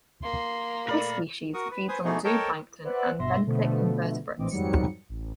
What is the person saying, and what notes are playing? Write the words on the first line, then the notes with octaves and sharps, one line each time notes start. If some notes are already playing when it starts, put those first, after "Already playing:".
This species feeds on zooplankton and benthic invertebrates.
A#3 C6
A#2 A3 A#4 D5 B5
F#4 A#4 C#6 D#6
B4
B4 C5 G#5 D#6
B2 E3 A3 B3 D#4 G#4
A4 A#4 C#5 D#5 G5 A5
D#3
B4 C5 D5 E5 F#5 F#6
G1 B2 E5 C6 A#6
B2 D3 F3 A3
A#1 A2 E3 C4 D#5 D6
F2 G#2 D#3 F#3 G3 C#7
A1